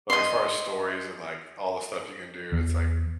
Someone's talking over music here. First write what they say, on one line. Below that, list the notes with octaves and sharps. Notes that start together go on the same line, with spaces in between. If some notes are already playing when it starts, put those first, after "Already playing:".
But, as far as stories and, like, all the stuff you can do, it's like
D#5 C6
E2